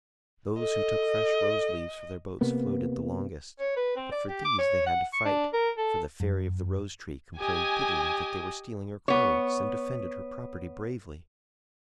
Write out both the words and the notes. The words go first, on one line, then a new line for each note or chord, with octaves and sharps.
Those who took fresh rose-leaves for their boats floated the longest; but for these they had to fight; for the fairy of the rose-tree complained bitterly that they were stealing her clothes, and defended her property bravely.
A4 D#5
C3 A#3 B3
C#5
B4
C4
D5
G4
D6
C#5
F#5
C#6
D4
A#4
A4
F#2
G4 D#5 G#5
B3 C#5